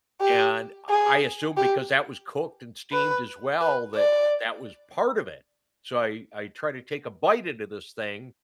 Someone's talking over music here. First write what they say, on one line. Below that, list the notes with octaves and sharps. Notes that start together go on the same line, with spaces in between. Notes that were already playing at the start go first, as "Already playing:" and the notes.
and I I assumed because that was cooked and steamed as well that that was part of it, so I I try to take a bite into this thing,
G4
G#4
G4
B4
B4
D5